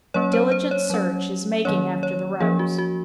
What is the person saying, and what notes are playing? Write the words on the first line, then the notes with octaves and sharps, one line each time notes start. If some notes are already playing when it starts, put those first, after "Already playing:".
Diligent search is making after the rogues.
F#3 A#3 C#4 C#5
C5
C5
C#5
F#3 C#4
D#3 F#3 A#3 C#4 C#5
C#5
F3 A#3 C#4 G#4
F#4
F#4